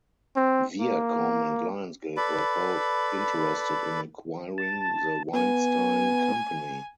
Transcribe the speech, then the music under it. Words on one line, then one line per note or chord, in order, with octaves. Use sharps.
Viacom and Lionsgate were both interested in acquiring The Weinstein Company.
C4
A#3
A4 B4 D5 B5
A5
B3 G#5